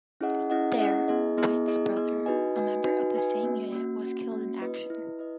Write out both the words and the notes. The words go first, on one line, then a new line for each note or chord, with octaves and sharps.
There, Witt's brother, a member of the same unit, was killed in action.
C#4 E4 G#4 D#5 F#5
C#4 E4 G#4 D#5 F#5
C#4 E4 G#4 D#5 F#5
B3 E4 G#4 D#5
B3 E4 G#4 D#5
B3 E4 G#4 D#5
B3 E4 G#4 D#5
D#4 F#4 B4 D#5 G#5
D#4 F#4 B4 D#5 G#5
D#4 F#4 B4 D#5 G#5
D#4 F#4 B4 D#5 G#5
A#3 C#4 F#4
A#3 C#4 F#4
A#3 C#4 F#4
A#3 C#4 F#4
E4 B4 D#5
E4 B4 D#5
E4 B4 D#5